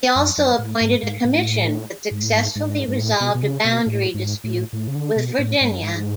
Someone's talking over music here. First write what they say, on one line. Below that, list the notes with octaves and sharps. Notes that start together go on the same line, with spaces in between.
He also appointed a commission that successfully resolved a boundary dispute with Virginia.
F#2
F#2
A2
G#2
G#2
A2
G#2
A2
G#2
G#2
G#2
A2
B2
B2
C#3
B2
A2
G#2
A2
A2
C#3
D3
B2
A2
G#2
F#2
G#2